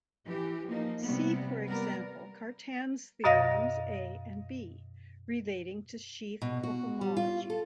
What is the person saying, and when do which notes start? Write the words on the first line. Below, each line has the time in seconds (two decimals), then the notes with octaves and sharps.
See for example Cartan's theorems A and B, relating to sheaf cohomology.
0.25 E3 G4
0.67 F3 A#3 D#4
1.02 C3 G3 B3
1.66 G3 A#3 B3 A#4 D5
3.24 F#2 B2 D#5 F5 A#6
6.42 B2
6.63 F#4
7.01 G3
7.17 F4
7.50 A4